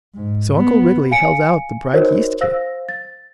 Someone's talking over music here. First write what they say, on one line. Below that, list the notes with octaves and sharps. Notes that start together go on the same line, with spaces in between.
So Uncle Wiggily held out the bright yeast cake.
G#2
B3
F5 G#5 C#7 D7
D#4 F#4 A#4 C5 C#5 D#5
C5 F5 E6 A#6
A6